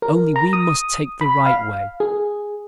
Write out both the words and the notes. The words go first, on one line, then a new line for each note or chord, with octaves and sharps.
Only we must take the right way.
A#4
A#5
D#6
B5
F5
G#4